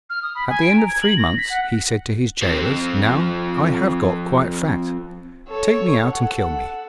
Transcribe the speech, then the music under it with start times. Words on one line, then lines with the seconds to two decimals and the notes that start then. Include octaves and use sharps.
At the end of three months he said to his gaolers: 'Now I have got quite fat; take me out, and kill me.'
0.10 F6
0.23 D#6
0.35 B5
0.49 G#5
0.63 D7
0.76 A#5
0.88 G#6
1.03 F#7
1.17 A#6
1.37 B6
1.50 F#5
2.42 F3 C4
5.49 A4 C#5
6.10 A4 F#5